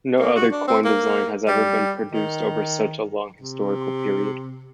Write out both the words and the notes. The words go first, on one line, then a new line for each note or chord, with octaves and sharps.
No other coin design has ever been produced over such a long historical period.
A#3
F#4
D4
C4
A#3
G3
D#3
C3